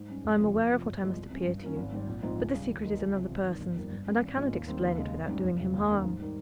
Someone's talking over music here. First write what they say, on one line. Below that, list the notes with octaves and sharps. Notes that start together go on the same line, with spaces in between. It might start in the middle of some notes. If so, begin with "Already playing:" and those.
'I am aware of what I must appear to you, but the secret is another person's, and I cannot explain it without doing him harm.'
Already playing: G#2
G3 C#4
F1
F2 C#3 F3 G#3
F2
C3 F3
G1
G2 F3 G#3
C2
C3 G3 C#4
G2
F3 A#3 C#4
G#1
G#2 G3 C4
A#1
G#2 F3 C4 D#4
C#2
C#3 G3
D#2
D#3 G#3 D#4
C#2
C3 F3
G#1
G2 D#3
G1
F2 D#3 G3 A#3
G2
G3 C#4
G#1
G#2 F3 G#3 C#4
D#2
D#3 G3 C4
D#2
C#3 G#3
G#1
G#2 G3 C#4
F1
F2 C#3
D#2
D#3 A#3 C#4
G#2
D#3 G3